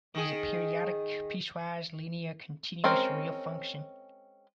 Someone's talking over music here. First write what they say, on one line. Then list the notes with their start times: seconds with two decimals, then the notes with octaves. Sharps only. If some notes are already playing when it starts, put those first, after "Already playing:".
It is a periodic, piecewise linear, continuous real function.
0.15 D#3 G#4
2.84 G#3 C4 C#4 A#4 C5